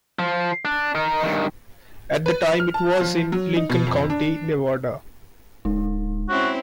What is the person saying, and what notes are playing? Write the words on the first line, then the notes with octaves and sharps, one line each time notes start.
At the time, it was in Lincoln County, Nevada.
F3
D4
D#4 A#4
G2 D#3
B4
F6
A5
F3
F#3
D#4
B2
F2
D4
D1 G#3 D#4
C4 C#4 E4 F#4